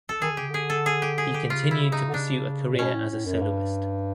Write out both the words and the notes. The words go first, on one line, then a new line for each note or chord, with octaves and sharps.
He continued to pursue a career as a soloist.
A4
D#3 G#4
D3
C#3 G4
D3 G#4
A4
G#4
G4
G#4
G4
C#3 F4
E4
D#4
D3
C#3 D4
A#2
B2 C#4
A2
A2
F#2
G2